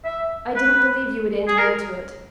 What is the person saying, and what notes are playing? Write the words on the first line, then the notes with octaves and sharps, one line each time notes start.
I didn't believe you would enter into it.
E5
B4
G#4
A#4